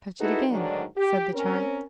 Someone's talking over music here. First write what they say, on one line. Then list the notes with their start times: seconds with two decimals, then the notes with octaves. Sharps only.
"Touch it again," said the child.
0.20 D#4 E4 F#4 G#4 A4 B4
0.50 D2 G#2 D#3 F#3 D4
0.97 G4
1.34 C4 C#4 A#4